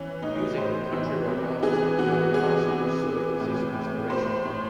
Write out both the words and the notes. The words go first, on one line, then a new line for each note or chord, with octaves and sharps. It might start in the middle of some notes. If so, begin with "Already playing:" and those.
The music of country-rock artist of Gram Parsons served as his inspiration.
Already playing: E3 C#4
A2 D#4
A2 C5
E3
C3
E3 G#4
E3 F#4
C3 G#4
E3
E3
A2
A2
A2 C5
C5
A2